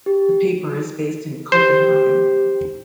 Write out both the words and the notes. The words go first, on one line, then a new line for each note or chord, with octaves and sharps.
The paper is based in Copenhagen.
G4
G4 C5